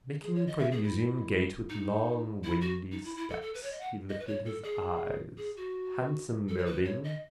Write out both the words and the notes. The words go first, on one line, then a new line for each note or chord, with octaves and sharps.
Making for the museum gate with long windy steps he lifted his eyes. Handsome building.
G#4
C#5
D#5
E5
G#4
E4
D#4
E4
F#4
D#4
E4
E4
A4
A4
B4
C#5
D#5
F#5
D#5
B4
C#5
A4
G#4
G#4
F#4
A4
C#5
B4
C#5
D#5